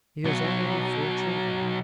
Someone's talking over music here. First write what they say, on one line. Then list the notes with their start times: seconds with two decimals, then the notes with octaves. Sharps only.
He has already four children.
0.24 B1 F#3